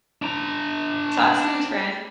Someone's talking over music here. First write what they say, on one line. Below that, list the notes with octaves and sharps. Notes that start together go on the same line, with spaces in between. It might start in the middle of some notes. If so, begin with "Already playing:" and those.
Talk soon, friend.
D4 A#5